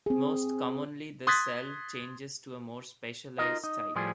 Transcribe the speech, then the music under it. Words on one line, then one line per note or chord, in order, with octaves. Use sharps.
Most commonly the cell changes to a more specialized type.
C4 G#4
C6 D#6 F#6 G#6 A6 B6
D#4 F4 A4 A#4 D#5
D#4
A2 F3 G3 A3 G#4 C5